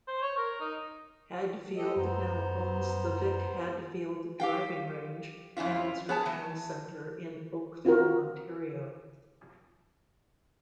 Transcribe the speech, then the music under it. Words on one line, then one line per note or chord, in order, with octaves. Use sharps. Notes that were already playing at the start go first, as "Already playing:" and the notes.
Hadfield now owns the Vic Hadfield Driving Range and instructional centre in Oakville, Ontario.
C5
C#5
A#4
D#4
G4 A4 D#5
F#2 B3 C5 A#5
G4 F5 G5
F2 C#4 E4 F4
B3 G#4 A5
E3
C4 F4 F#4 A#4